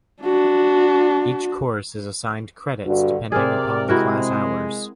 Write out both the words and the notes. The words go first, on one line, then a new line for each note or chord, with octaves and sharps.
Each course is assigned credits depending upon the class hours.
D4 F#4
G2 D3 F#4
C3 C4 G#4 A#4 D5
G#3 E4 F#4 A#4